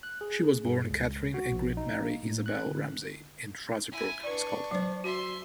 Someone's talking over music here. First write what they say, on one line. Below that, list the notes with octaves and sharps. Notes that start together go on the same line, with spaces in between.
She was born Katharine Ingrid Mary Isabel Ramsay in Fraserburgh, Scotland.
F#6
G#4
G2
C#2
F#4
A#1
D#4
A#3
A2
F#6
D3
E4 G#5
D4 B4 D5 C#6
F#3 C5
F#4 E5 C6